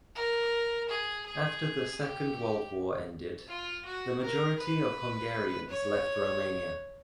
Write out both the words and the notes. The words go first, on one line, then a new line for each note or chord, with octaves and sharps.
After the Second World War ended, the majority of Hungarians left Romania.
A#4
G#4
G#4
G4
F4
F#4
A#4
B4
C#5